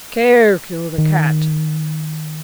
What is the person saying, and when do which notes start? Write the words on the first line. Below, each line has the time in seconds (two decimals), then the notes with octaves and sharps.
Care killed a cat.
0.98 D#3